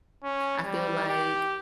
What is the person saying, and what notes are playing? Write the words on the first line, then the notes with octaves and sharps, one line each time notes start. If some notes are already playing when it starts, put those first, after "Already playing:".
I feel, like,
C#4
G3
G4